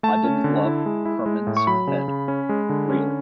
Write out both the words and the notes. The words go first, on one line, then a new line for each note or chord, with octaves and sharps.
I didn't love "Herman's Head", really.
A3 A5
C#4
D3
E4
G#3
E4
G#3
A2
C#6
F#3 B5
C#3
C#3
C#4
G#3
D3
C#4